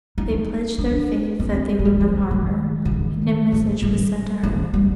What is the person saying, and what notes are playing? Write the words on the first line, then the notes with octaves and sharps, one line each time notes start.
They pledged their faith that they would not harm her, and a message was sent to her.
D#4
D4
C4
G#3
G3
F3
D#3
D3
D#3
F3
G3
F3
G3